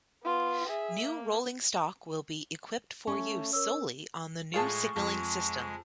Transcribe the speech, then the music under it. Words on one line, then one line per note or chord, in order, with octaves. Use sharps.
New rolling stock will be equipped for use solely on the new signalling system.
B3 F4
G#4 E5
A#3
A3 C#4 C#6
A#4 C#5 E6
A2 G#3 F4 G#4 A5 C#6
F2 G#3